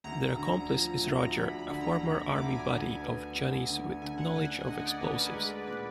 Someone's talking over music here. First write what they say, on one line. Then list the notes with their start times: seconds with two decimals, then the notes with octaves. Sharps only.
Their accomplice is Roger, a former Army buddy of Johnny's with knowledge of explosives.
0.04 D2 A#5
0.37 D3
0.70 F3
1.03 D2
1.37 D2 B5
1.59 B5
1.70 D3
1.81 A#5
2.03 D2 A#5
2.19 B5
2.36 D2 D6
2.52 G#5
2.69 D3
3.02 B3
3.35 D3
3.69 D3
4.02 D3 G#5
4.18 F#5
4.35 D3 G#5
4.51 F#5
4.68 D3 D#5
4.85 D5
5.01 D3 B4
5.17 A#4
5.34 G#3 B4
5.51 D5
5.67 A#2 B4